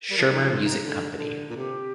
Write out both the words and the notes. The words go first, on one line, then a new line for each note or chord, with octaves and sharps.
Schirmer Music Company.
G3 A#4
F3
G3
D#4
F3
F4
D3
D#3
D#4
D3
D3
A#2
C3 G4